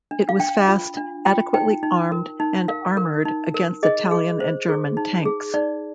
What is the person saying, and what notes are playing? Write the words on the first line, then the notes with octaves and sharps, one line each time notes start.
It was fast, adequately armed and armoured against Italian and German tanks.
D4
F5
D4 G5
F4
D4
F4 G5
D#4 G5
D#4
A#4
D#4
A#4 F5
A#4
D#4
A#4
G#4 D#5
G#4
C5
G#4
D#4
G#4
D#4 D5